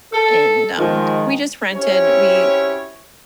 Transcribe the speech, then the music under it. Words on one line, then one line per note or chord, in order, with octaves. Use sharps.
and, um, we just rented we
A4
D#3 F3 G#3
C4 C#4 E4 F#4 G4 C#5